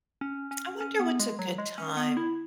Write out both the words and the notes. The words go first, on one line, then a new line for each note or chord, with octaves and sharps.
I wonder what's a good time
C#4
C#4
C#4
B3
G#3
F#3
G#3
C#4
B3
E4